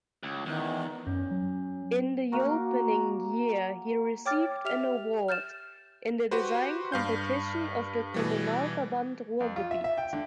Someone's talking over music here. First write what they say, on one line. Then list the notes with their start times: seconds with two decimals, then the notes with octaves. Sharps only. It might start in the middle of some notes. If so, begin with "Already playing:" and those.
IN the opening year he received an award in the design competition of the Kommunalverband Ruhrgebiet.
0.23 C#2
0.46 E2 D#3
1.07 F#2 C#4
1.31 F#3
2.32 A#3 F#4 A#4
4.25 C#5 G5 D6 F6 A6
4.65 G4 E5 F6 F7
5.28 F6 G6 A6 E7
6.31 F#4 G4 B4 C5
6.92 G2 F5 G6
8.14 B2 E3 G3
9.40 F2
9.56 F4
9.71 E5
9.84 E5
9.98 G5
10.13 D3